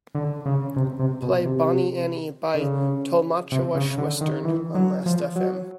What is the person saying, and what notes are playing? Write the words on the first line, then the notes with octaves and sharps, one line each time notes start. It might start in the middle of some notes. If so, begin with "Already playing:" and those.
Play Bonnie Annie by Tolmatschowa-schwestern on last fm.
D3
C#3
C3
C3
B2
C3
D3
C#3
C3
C#3
D3
D#3
E3
F#3
F3
F#3